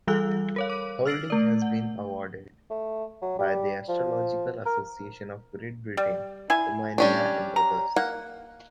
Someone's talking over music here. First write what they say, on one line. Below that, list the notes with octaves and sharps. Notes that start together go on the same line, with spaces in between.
Houlding has been awarded by the Astrological Associations of Great Britain, Romania, and others.
E3 G3 A4 F#5 E6 F#6
A#4 C#5 F5
D6
E6 F6 A6 C7 D7 F#7
A3 D5
F#5
A3
F#3
G3
F3
A#4
G3
E4 G#5
G3 C#4 D4
A#5
A#3 F#5